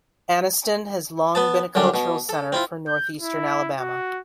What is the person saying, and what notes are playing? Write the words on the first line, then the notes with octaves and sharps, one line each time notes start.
Anniston has long been a cultural center for northeastern Alabama.
B3 B4 A5
F#2 D3 G3 D4
B2
A4
C4 E4 F4
G6
E4
F#4